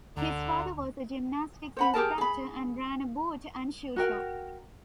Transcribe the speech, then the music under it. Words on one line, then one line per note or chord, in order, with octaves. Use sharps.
His father was a gymnastics instructor and ran a boot and shoe shop.
D2 D3 A#5
C5 F#5 B5
G4 G#4 A#4 A5
G#4 B5
F#4 A#4 G5